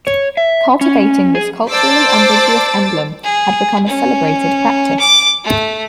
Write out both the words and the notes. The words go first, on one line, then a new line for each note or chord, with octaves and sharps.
Cultivating this culturally ambiguous emblem had become a celebrated practice.
C#5
E5
C#4
G#4
C5 D5 A5 D6 E6 A6
G#4
C#4
D6
A3